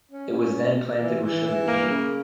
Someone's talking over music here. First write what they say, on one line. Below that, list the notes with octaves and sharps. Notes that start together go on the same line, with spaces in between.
It was then planted with sugarcane.
C#4
C#4
B2
A#3
E3
E3
E3
A#3
C#3